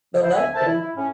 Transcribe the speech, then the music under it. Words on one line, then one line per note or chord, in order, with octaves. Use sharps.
the lesson.
E4 C5
D2 E5 G#5
C4 A#4 C5 E5 A5
E4
E4
A2 C#4